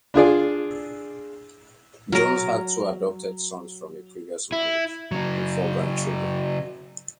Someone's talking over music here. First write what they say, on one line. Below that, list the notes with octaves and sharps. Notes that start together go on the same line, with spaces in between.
Jones had two adopted sons from a previous marriage, and four grandchildren.
D4 F4 G#4 D5
F#3 A#4
E4
C#3 F#3